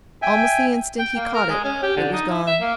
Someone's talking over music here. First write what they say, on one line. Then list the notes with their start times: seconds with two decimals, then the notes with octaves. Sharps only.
Almost the instant he caught it it was gone.
0.22 E5 G5 G#5
0.99 G5
1.16 A#3
1.34 A#4
1.49 G#3
1.64 C#4
1.83 G4
1.96 D3
2.13 D#4
2.29 E4
2.47 E5
2.61 A#3